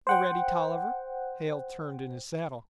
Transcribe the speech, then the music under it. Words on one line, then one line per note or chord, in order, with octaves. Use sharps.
"Loretty Tolliver." Hale turned in his saddle.
C5 F#5 G5